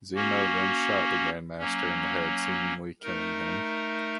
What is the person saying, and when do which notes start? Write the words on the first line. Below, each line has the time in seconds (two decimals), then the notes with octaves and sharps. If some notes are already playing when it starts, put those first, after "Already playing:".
Zemo then shot the Grandmaster in the head seemingly killing him.
0.14 A#3 C#4 F#4
1.59 F#3 A#3 C#4
3.02 A3 D#4 A#4